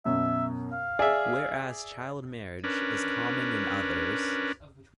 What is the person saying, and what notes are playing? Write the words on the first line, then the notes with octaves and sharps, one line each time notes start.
Where as child marriage is common in others.
F#2 B2 E5
F5
G#4 D5 E5
C#4 D4 A#4 B4